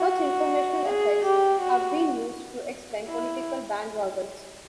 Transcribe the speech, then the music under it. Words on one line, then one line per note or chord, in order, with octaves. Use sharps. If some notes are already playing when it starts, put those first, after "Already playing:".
Such informational effects have been used to explain political bandwagons.
Already playing: F#4
G#4
G4
F#4
E4